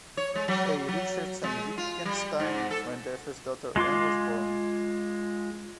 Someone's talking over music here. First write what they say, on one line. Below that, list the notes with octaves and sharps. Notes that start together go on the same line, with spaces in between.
A. Richards and Wittgenstein, when their first daughter, Anne was born.
C#5
G#3
F#3
F#3
G#3
F4
G3
G#2
A4
G#3 F4 C6 D6